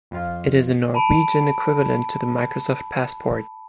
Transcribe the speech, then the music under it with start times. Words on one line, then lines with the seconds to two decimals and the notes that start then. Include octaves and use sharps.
It is a Norwegian equivialent to the Microsoft Passport.
0.11 F2 F4
0.94 A5 B5 D7